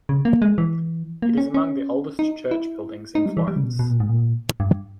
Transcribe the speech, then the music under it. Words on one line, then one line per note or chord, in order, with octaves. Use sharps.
It is among the oldest church buildings in Florence.
C#3
A#3
G#3
E3
A#3
C#4
C#4
D#4
E4
D#4
G3
E3
G3
C#3
B2
B2
A#2
G#2
A#2
G2